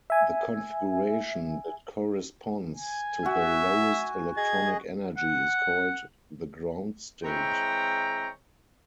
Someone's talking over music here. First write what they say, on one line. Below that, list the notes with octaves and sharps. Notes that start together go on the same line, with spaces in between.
The configuration that corresponds to the lowest electronic energy is called the ground state.
E5 G#5
G#5
F#4 E5
G#4 D#5 G#6
F#5
E3 G#3 C4 C#5 G5 A#5